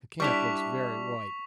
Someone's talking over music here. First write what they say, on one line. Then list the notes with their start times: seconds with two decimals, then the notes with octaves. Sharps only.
The camp looks very white.
0.20 G3 D4 E4 C#6 B6 F7